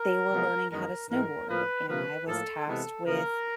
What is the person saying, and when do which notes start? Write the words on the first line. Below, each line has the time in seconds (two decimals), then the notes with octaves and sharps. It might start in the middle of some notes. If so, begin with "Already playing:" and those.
they were learning how to snowboard, and I was tasked with
Already playing: A#4
0.31 C3 F3 G#3 B3
0.70 F#2 D#3 G#3 B3 A#4
1.10 G#2 E3 G#3 A#4
1.48 A2 F3 A#3 B4
1.88 C3 F3 A#3 B4
2.27 A2 F3 A#3 A4
2.66 C3 E3 G#3 B3 A4
3.06 C#3 F3 A#3 A#4